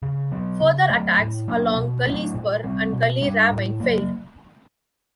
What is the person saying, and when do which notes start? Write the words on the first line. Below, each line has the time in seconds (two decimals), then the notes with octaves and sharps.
Further attacks along Gully Spur and Gully Ravine failed.
0.02 C#3
0.32 F#3 B3
0.60 C#3
0.90 F#3 A3
1.18 A2
1.48 F#3 A#3 D4
1.77 B2
2.06 F#3 A3 D4
2.34 A#2
2.64 G3 C4
2.93 B2
3.22 G3 B3 D4
3.51 A2
3.80 F#3 A#3